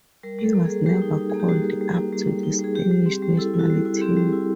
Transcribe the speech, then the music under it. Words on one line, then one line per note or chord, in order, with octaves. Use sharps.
He was never called up to the Spanish national team.
G3 A#4
G3
A4
A#3
G#4
G3
G3 G4
D#4
D#4
A#3 G#4
G4
G3 F#4
G3
G3
A#3
G3
G3
D#4
G3 G#4
G3 G4
G3
C4
G3
E4 A4
E4
F#4
G3
E4
G#4
C4 G4
G3
E4